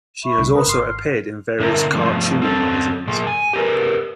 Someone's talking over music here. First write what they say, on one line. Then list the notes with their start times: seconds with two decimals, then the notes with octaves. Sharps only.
She has also appeared in various car tuning magazines.
0.24 E5 B5 C#6
0.37 C2 D3
0.55 A#4 B4 D#6
0.68 G#1 C6 F6
1.60 A#2 D3 C#4 E4 A#4
1.93 F3 A3 D4
2.42 C4 C#4 A4
3.08 A#2 G#4
3.27 G#5
3.53 G4 A#4 B4